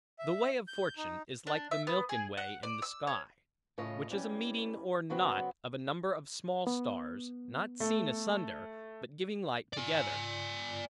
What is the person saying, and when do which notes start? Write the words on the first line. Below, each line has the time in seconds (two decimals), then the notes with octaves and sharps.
The way of fortune, is like the Milken Way in the sky; which is a meeting or knot of a number of small stars; not seen asunder, but giving light together.
0.19 E5
0.68 G6
0.97 D#4
1.47 D4
1.71 E5
1.87 B3
2.09 G#4
2.37 F#5
2.63 D5
2.82 E6
3.07 C#5
3.78 A2 C#3 F4 C#5 D#5
4.10 E2 G3 C#4
5.10 C#3 F#3 B3 C4 F#4
6.67 B3
7.80 A3
9.73 D5 G#5